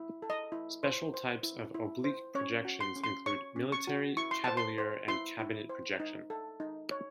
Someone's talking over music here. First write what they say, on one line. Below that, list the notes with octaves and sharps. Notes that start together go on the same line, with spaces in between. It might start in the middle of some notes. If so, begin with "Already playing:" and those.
Special types of oblique projections include "military", "cavalier" and "cabinet projection".
Already playing: E4
A4
D#5
E4
C5
C5
E4
E4
C5
C#4 C#5
F#4
C6
C#4
C6
C#5 C#6
C#4
C#6
F#4
E4 C#6
C6
C5 A5
C6
C5
E4 C6
E4
C5
D#4
A4
D#4
C#5